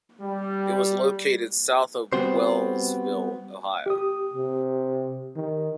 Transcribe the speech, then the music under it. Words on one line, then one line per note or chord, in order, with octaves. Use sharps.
It was located south of Wellsville, Ohio.
G3
G3 B3 C4 F#4 C5
G4 D#6
C3
D#3